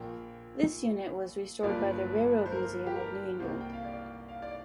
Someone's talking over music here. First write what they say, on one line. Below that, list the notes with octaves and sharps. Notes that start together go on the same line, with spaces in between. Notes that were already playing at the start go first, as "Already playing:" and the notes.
This unit was restored by the Railroad museum of New England.
Already playing: A#1 A#2 A#3 G5
G1 G2 F3 A#3 D5
C5
A#4
G4
A#4
C2 C3 A#3 C5
G5
F5
D5
F5
D5